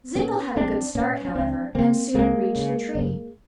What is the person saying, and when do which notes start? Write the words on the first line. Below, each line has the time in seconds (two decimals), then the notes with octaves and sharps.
Zingle had a good start, however, and soon reached the tree.
0.15 A#2 B3 C#4
0.56 A#1 C4 D4
0.95 A#2 B3 C#4
1.25 C#4
1.35 C#2 C4 D4
1.75 C#3 A#3 C4
2.14 C#2 G#3 A#3
2.56 C#3
2.95 F#1